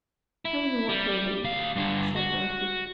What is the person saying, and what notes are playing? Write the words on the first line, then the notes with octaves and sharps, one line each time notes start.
"Tell you what we'll do," said Dorothy.
E4
G3
D2 F5
G2 D3
F#4